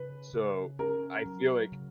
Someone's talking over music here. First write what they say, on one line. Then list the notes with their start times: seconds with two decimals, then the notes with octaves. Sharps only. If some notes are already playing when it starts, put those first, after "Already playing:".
So, I feel like
Already playing: C#3 B4
0.33 C#3
0.79 C#4 A#4
1.26 F#3
1.72 C#3